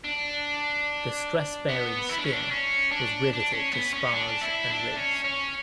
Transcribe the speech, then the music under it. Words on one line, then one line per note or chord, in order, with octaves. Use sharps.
The stress bearing skin was riveted to spars and ribs.
D4
B3
E4
D4
C#4
D4
C#4
D4
D4
C#4
B3
C#4
D4
E4
D4
C#4
C#4